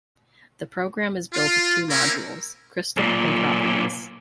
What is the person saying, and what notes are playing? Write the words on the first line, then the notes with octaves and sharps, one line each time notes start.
The program is built of two modules: "crystal" and "properties".
F4
A#3 C4 C#4 E4 A#4
B1 A#2